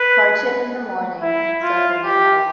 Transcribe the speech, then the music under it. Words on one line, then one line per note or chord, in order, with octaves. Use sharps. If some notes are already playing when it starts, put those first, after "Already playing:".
Hardship in the morning, suffering at night.
Already playing: B4
E4
F4
G4